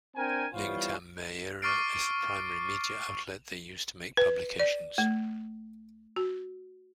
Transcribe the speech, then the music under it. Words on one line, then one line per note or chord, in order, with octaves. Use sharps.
Ningtam Meira is the primary media outlet they use to make publications.
C4 D4 A#4 G5 G#5
E3 G3 B3 F4 C5 C#5
C#6 D6 F6 A6 C7 D7
B4
D5
A3
F#4